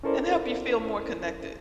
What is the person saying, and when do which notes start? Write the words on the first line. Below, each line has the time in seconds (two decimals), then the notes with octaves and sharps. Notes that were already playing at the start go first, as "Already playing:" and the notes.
and help you feel more connected?
0.03 C#4 E4 A4 A#4 C5 D5